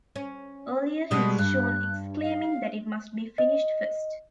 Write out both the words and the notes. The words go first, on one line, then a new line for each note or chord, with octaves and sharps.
Earlier he is shown exclaiming that it must be finished first!
C#4
B2 G3 G#3 D#6
G2 F#6
F5
D#5